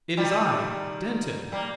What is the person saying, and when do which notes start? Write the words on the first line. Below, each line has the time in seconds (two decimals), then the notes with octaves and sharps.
It is I--Denton.
0.17 D#3 G3
1.52 G3 A#3